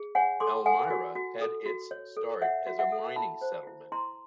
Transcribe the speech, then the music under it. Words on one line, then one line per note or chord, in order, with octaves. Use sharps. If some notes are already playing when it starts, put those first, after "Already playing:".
Elmira had its start as a mining settlement.
Already playing: G#4
C#5 F#5 G#5
A4 C6 D6
A4 F#5 G#5
F#4
F#4
A4
F#4
C#5
A4
C#5 E5 F#5
F#4
E5 F#5
A4
E4 A5 B5
C5
E4
E4 A#5 C6